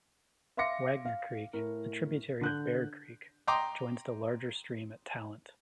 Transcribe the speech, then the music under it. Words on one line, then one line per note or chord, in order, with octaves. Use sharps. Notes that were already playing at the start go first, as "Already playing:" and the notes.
Wagner Creek, a tributary of Bear Creek, joins the larger stream at Talent.
E5 F5 C6 D6 A#6 C#7
F5
A2 A#4
D3 F#6 G6
D#5 G5 A#5 C6 D6